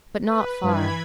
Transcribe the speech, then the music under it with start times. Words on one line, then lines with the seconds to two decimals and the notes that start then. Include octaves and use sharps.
But not far.
0.22 B4
0.63 G2 E3 B5 G#6